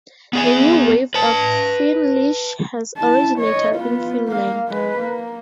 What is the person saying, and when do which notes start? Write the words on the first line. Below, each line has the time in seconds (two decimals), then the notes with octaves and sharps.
A new wave of Finglish has originated in Finland.
0.33 B3 G#4 G#5
1.14 B4 A5
2.97 E4 A5
3.39 C#5 D#5
3.75 B3 F4
4.28 A#3 F5
4.68 G#3 B4
4.99 A#3